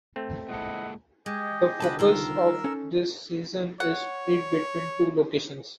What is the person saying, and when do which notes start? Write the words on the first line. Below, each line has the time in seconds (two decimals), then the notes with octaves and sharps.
The focus of this season is split between two locations.
0.16 A3 C4
0.49 A#2 G#3 E4 A4 D#5 F#5
1.26 G#3 G4 G#4 D#5
1.80 C2 D3 F#4 B4 C5 A5
1.99 D#3 G3 F4 A#4 E6
2.64 C#4 D#4 A4
3.80 C#5 F#5